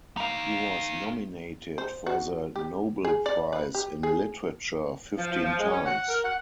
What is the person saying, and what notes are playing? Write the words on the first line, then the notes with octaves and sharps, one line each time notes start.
He was nominated for the Nobel prize in literature fifteen times.
D#4 F5
C5
F#4
G4
G#4
D5
B4
G4
G#4
F3
F3
F3
G#3
C#4
F#5
A#4
F#5